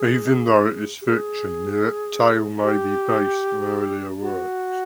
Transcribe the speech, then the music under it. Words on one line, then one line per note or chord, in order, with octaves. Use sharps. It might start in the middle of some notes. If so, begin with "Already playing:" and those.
Even though it is a fiction, the tale may be based on earlier works.
Already playing: G#4
G4
G#4
G4
F#4